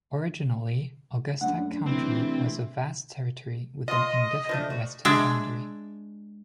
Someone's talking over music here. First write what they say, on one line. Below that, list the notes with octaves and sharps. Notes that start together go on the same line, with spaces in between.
Originally, Augusta County was a vast territory with an indefinite western boundary.
F#2 D#3 A3 D4 F#5
C3 E3 C4
F4 D#5 C6
F3 A3 D4
F#4
G#3 D4 E5